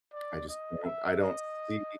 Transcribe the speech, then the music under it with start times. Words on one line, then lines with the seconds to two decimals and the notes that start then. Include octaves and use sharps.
I just don't I don't see
0.13 D5
0.49 D#5
0.84 E5
1.20 D#5